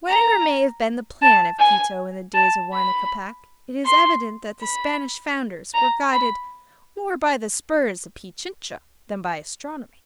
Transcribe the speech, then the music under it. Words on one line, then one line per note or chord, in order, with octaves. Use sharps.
Whatever may have been the plan of Quito in the days of Huayna-Capac, it is evident that the Spanish founders were guided more by the spurs of Pichincha than by astronomy.
A#5
A5
G#5
A5
B5
C6
B5
A#5
B5